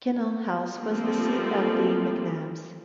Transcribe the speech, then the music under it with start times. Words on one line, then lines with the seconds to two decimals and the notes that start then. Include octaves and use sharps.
Kinnell House was the seat of the MacNabs.
0.74 D3 F3 G3 A3 A#3 C4